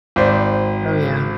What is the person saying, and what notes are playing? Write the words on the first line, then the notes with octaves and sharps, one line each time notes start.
Oh, yeah.
G#1 C5 D5